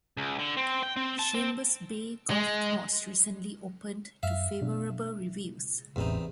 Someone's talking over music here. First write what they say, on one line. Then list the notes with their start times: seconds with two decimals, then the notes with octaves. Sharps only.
Chambers Bay golf course recently opened to favorable reviews.
0.17 C#2
0.39 D3
0.57 C4
0.83 G5
0.97 C4
1.19 A5
1.34 C4
2.30 G#3
4.23 F#2 E5 F5
4.61 B2 D4
5.96 E1 A1 E2 C3 D#4